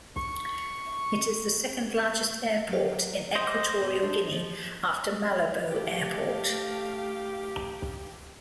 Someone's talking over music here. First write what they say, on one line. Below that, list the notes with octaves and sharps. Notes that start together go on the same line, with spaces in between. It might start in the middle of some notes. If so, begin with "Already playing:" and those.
It is the second largest airport in Equatorial Guinea, after Malabo Airport.
C#6
F#3 G4 F5
C5 D#5
B2
D4
F3
A3 G4 F5